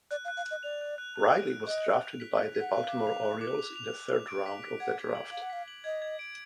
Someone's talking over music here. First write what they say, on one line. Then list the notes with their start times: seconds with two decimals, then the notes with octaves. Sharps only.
Riley was drafted by the Baltimore Orioles in the third round of the draft.
0.11 D5 F#6
0.25 F5
0.28 F#6
0.37 F5
0.46 F#6
0.51 D#5
0.63 D5 F7
0.81 F#6
0.98 F#6
1.16 F#6
1.33 D7
1.50 F#6
1.67 D#5 F#6
1.85 F#6
2.03 F7
2.20 B6
2.38 B6
2.55 B6
2.61 F#5
2.72 F5 F#6
2.89 D6
3.07 F7
3.23 F#6
3.41 D6
3.59 F7
3.76 F7
3.93 F#6
4.11 F7
4.28 D7
4.46 B6
4.63 B6
4.80 F#5 G#6
4.97 G#6
5.15 F#7
5.32 F5 F#7
5.42 F#5
5.50 F5 B6
5.68 F#7
5.84 D#5 G#6
6.02 G#6
6.19 D7